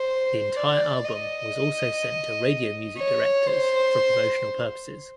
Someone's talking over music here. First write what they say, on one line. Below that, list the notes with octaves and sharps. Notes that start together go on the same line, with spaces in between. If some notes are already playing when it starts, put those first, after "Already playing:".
The entire album was also sent to radio music directors for promotional purposes.
Already playing: C5
D5
D#5
C#5
C5